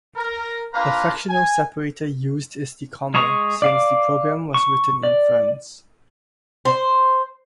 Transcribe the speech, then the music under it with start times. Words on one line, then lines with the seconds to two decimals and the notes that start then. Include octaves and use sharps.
The fractional separator used is the comma, since the program was written in France.
0.16 A#4
0.74 A#3 D4 F4 B4 F5 A#5
1.30 G#5
3.14 G#3 G#4 A#5 C#6 D#6
3.62 D5 F5 D6
4.54 C#6
5.03 D5
6.65 C5